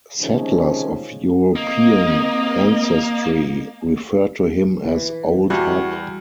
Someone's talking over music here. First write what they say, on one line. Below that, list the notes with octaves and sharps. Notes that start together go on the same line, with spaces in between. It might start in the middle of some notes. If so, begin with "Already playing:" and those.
Settlers of European ancestry referred to him as Old Hop.
C3 D#3 F3 G#3 C#4
A#3 C4 D#5
E3
E2 G3 F#4